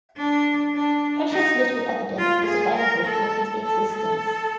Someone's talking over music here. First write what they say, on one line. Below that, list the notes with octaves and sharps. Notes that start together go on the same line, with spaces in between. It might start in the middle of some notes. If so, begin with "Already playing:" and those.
Precious little evidence is available for his existence.
D4
D4
D#4
F4
G#4
A#4
A4
A4
A4